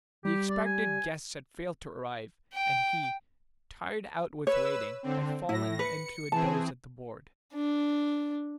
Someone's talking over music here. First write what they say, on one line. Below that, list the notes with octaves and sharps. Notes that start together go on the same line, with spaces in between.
The expected guests had failed to arrive, and he, tired out with waiting, had fallen into a doze at the board.
G3 G4
D5
G#5
G5
B4 C#5 E6
D3 C4
A2 E4 A#6
B4 C#7
E3 C4 G#4 A5
D4